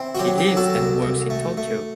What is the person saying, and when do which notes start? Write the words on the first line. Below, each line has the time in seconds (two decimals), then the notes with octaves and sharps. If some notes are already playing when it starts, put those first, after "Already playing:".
He lives and works in Tokyo.
Already playing: C4 E4
0.15 F#4
0.19 F#3 G4
0.38 G4
0.47 F#3
0.57 F#4 A4
0.75 C2
1.02 C2
1.30 A3
1.58 A3